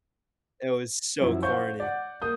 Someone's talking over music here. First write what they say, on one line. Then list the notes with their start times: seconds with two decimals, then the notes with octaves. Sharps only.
It was so corny.
1.21 F#2 F3 F#3 E4
1.43 C5 F5 F#5 C#6 G6
1.80 D5 F#5
2.22 A#3 D#6 G6